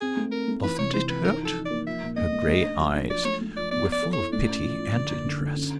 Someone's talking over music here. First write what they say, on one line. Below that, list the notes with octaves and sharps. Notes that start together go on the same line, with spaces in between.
"Dothent it hurt?"--her grey eyes were full of pity and interest.
C4 G#4
A3
C4 A#4
A3
E3 B4
C3 C#5
E3 C5
E3 B4
D#4 A#4
F3 A4
D#4
D5
A#3
F3 E5
A#2
A3 D#5
A3
A3
D4
F#3
D4
F3 D5
A3 C#5
A3
F3 D5
B3 D5
B3
D5
A4
E4 C#5
A2 D5
C#4
F3
F3
D3
A#3
D3
D3
C#4